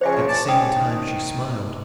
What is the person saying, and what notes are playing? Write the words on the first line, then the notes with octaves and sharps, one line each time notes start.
At the same time she smiled.
C#3 F3 C5 C#5 E5 G#5
D5 A5
C3 G#3 C#4 G5 D#6
D#3